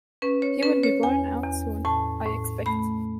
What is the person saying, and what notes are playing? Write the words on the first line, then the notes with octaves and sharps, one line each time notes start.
He will be worn out soon, I expect.
C#4 B4
C#5
C#4 B4
C#5
E2 G#5
E2
A2 A5
A2
A3 B5